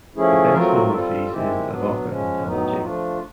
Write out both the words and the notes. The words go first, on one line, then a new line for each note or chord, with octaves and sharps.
The best known of these is Avoca Anthology.
F3 A3 C#4 E4 G#4
F#3 A3 C4 F4 A#4
G3 C4 F4 A4
D#3 G#3 C4 E4 G4
F#3 B3 D4
F3 G#3 C#4
A2 F#3 B3 D#4
F3 A3 D4 F4